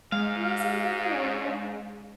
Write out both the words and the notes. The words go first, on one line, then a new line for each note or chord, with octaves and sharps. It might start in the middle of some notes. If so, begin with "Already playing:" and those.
and they seemed pretty normal,
G#2 G#3 F5